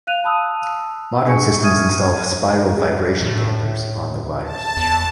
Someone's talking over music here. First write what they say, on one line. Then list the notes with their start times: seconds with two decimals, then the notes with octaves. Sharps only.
Modern systems install spiral vibration dampers on the wires.
0.07 F5 F#6 D#7 F7
0.24 A5 B5 D#6 E6
1.25 D4 G#4 G#5 C#6 C#7
1.62 E5 C#6 D#6 F6 G#6 D#7
3.22 A2
4.44 A5
4.77 E2